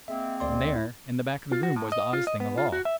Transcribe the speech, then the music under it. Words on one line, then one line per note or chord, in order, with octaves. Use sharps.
And there in the back of the room was the oddest thing of all.
G#3 A#3 C4 E5
D2 D5 C6
E4
F4
F#4
A2
D#5
F4
D#5
B3
F4
F#4
E5